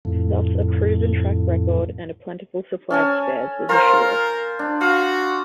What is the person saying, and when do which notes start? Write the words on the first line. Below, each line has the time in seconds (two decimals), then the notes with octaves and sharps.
Thus a proven track record and a plentiful supply of spares was assured.
0.05 F2 A2
2.90 C#4 A4 G#5
3.69 F4 A#4 C5 A#5
4.59 D4
4.81 F#4 F5